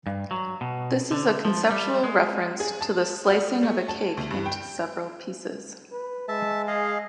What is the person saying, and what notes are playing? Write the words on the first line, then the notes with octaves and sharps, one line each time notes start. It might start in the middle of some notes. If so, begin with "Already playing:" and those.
This is a conceptual reference to the slicing of a cake into several pieces.
G2
F#3
B2
D3
F3
G3
G#3
G#4
A5
F#4
A3
A5
D2
G2
G5
B4
G#3 E5 A5
G#4 D#5 F5